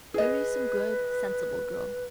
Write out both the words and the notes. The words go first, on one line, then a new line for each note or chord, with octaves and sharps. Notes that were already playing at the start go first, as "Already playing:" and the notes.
Marry some good, sensible girl.
G#4 B4 D#5